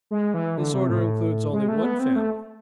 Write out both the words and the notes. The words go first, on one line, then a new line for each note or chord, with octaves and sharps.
This order includes only one family.
G#3
E3
D3
C3
A2
G#3
A3
B3
C4
A3